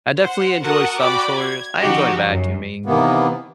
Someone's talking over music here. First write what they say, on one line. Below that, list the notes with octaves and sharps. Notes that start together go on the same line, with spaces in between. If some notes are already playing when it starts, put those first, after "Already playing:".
I definitely enjoy some chores, I enjoy vacuuming.
C5 F#5
F#4 A#4 F#5 A5 D#6
F#4 D5 G5 B5 D6
G#6
C#3 F3 D#4 F#4 G4
F#2
C3 D#3 E3 A#3 B3